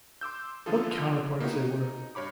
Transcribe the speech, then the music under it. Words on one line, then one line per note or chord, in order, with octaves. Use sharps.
What counterparts they were!
C6 D6 E6 G6
D3 E3 F3 F4 G#4 A4
A#3 B3 D#4 E4 F#4 G4
D#4
G2 C#5 B5 D6